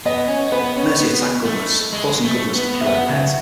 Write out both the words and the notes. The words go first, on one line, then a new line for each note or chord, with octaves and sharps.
Mercy attacked Goodness, forcing Goodness to kill her pet.
B3 D#5
C#4
B3 B4
B3
C#4
B3
A3
G#3
A3
B3
E5
B3 F#5
C#3